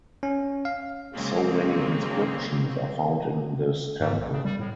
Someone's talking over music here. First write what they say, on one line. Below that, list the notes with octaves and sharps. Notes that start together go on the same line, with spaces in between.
So many inscriptions are found in this temple.
C#4
F5
C#3 F#3 G#3 A#3 C4
G#2
B1
C#3
G3
A2